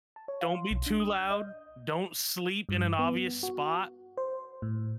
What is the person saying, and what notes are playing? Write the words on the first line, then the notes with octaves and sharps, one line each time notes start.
Don't be too loud. Don't sleep in an obvious spot.
A5
C#5
F5
C6
B1
D4
D#6
G6
D#5
G2
B3
F#4
C5
A2